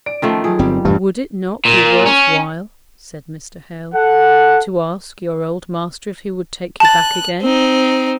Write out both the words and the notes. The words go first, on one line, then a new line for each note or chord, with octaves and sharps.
'Would it not be worth while,' said Mr. Hale, 'to ask your old master if he would take you back again?
D5 D7
D#3 F3 A3 C#4
F#3 F4 G#4
G1 G3 C4
D#1 G2 E3 A3
A#2
C#4
A4 F#5
A5 F#6 A6
C4 D#4